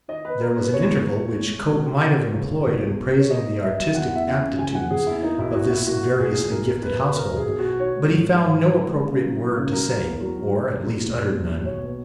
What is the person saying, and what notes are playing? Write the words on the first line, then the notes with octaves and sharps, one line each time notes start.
There was an interval which Cope might have employed in praising the artistic aptitudes of this variously gifted household, but he found no appropriate word to say,--or at least uttered none.
D#3 D#5
B3 B4
B3 A#4
B3 B4
E2 C#5
B3
B3
E2
G#3
G#3
B2
B2
B2
B3
C#2
C#2
B1
B1
A#3
A#3 C#5
A#3 D#5
A#3
F#3 E5
F#3
E2 F#5
E2 E5
C#3
C#3
F#1 G#5
F#1 F#5
F#1 G#4
E2 E4
A#3 D#4
B1 E4
B1 F#4
A#2 E4
A#3 F#4
B1
B1 G#4
A#2
B1 A#4
B1
A#3 B4
B1
B1 A#4
B1 G#4
B1
B2 F#4
D#3 C#5
G#3
G#1
D#3
G#1
D#3
G#3
D#3
C#3
F#3
A#3
C#3
F#3 A#4
A#3
E2
F#3
D#3
D#3
E1
E1
D#2
E1
D#2
D#2
B1 C#5
B3